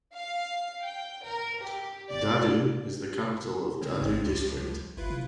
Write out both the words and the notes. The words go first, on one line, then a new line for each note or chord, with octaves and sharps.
Dadu is the capital of Dadu District.
F5
G5
A#4
G4
D5
C#3 G#3 C4 C#4
A1
C#2 A2 F3 G3
G1 E4 F4 B4
C3